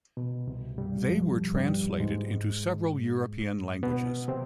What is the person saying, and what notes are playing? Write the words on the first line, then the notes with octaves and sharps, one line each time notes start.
They were translated into several European languages.
B2
C2 C3
G2 G3
F2 F3
G2 G3
G#2 G#3
B2 B3
C3 C4